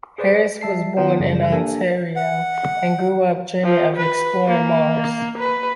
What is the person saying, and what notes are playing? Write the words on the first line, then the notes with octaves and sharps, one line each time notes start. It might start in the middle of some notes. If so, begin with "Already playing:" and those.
Harris was born in Ontario and grew up dreaming of exploring Mars.
G#4 B4 C5 D5
G3 E5 A5 C7
D#3 B3 F4 G5
F#2 C#3 E3 G3
A#3 D4 G4 A4 A#4 G#5
F#5
F3
B4
A#3
B4